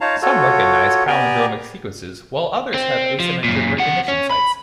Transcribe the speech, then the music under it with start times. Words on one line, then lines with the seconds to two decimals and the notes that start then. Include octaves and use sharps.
Some recognize palindromic sequences while others have asymmetric recognition sites.
0.01 D#4 F4 C#5 F5 A5 A#5
0.22 F4 F#4 A4 C#5
1.08 B3 G4 D5 G5 G#5 A#5
2.74 C4
3.20 F3
3.44 F#2 A#2
3.78 C3 F#5
4.08 C#4
4.31 B5